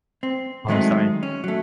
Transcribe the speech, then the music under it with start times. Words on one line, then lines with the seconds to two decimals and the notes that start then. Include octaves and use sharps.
Oh, sorry.
0.23 C4
0.68 D#3 F#3 G#3 A3 C4 D#4
1.23 C#4
1.44 F#3 A3